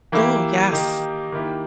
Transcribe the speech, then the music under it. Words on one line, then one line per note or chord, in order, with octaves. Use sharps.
Ooh, yes.
E3 A#3 E4 G4
D#3 A#3 D#4 G4
D#3 A#3 E4 G4